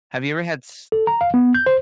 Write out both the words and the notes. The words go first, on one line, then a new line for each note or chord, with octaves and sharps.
Have you ever had s
A4
A#5
F5
B3
G6
C5